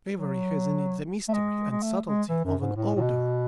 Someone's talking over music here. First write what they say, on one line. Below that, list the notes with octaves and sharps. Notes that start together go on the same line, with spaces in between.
Reverie has in it the mystery and subtlety of an odour.
F#3
A3
G#3
G#3
A3
G#3
E3
F#2
G#2
A2
A2
B2